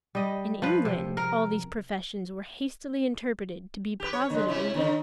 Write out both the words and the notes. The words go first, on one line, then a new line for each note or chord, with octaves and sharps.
In England, all these professions were hastily interpreted to be positive engagements.
G3 D#5
F3 B4
C3
A#4
G4 B4
C#5
D3 G#3
C3 C#4 E4
D3 D#3